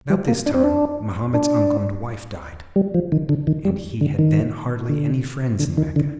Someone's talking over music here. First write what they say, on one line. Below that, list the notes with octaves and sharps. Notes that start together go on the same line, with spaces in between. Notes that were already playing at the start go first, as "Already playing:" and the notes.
About this time Mohammed's uncle and wife died, and he had then hardly any friends in Mecca.
G3
A#3
D4
C4
D4
D4
G3
F3
D#3
D3
D#3
G3
D3
D#3
D3
D3
D#3
D3